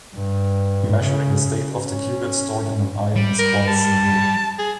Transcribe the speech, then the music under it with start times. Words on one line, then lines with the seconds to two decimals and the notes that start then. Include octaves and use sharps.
Measuring the state of the qubit stored in an ion is quite simple.
0.15 G2
1.01 C#3
1.83 C#4
3.16 G3
3.39 A#4
3.68 A5
4.58 G#4